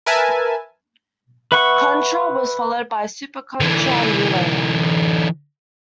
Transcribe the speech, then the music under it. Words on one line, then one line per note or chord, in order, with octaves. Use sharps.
"Contra" was followed by "Super Contra" a year later.
A#4 B4 E5 G#5 A5
B4 E5 F#5 C#6
D3 E3